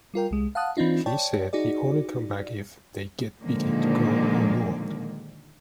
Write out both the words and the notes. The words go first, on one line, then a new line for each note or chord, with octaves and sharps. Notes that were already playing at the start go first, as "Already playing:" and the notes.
He said he'd only come back if they'd get Vikki to come on board.
G3 F4 A#4 G5
C2 G#3
F5 F#5 A5 D#6 F#6
E3 C4 D4 D#4 F4
C#5 D5 G5 A5
D#4 F#4 G#4 D5
A#2 D3 D#3 F3 G#3 A#3